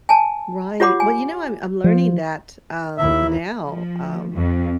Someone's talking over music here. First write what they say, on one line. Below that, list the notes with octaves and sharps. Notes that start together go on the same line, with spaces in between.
Right, well, you know, I'm I'm learning that, um, now, um,
G#5 A5
F4 G4 C#5 F#5 B5 D6
G#5
F3
D#2 E4 E5
F3
F2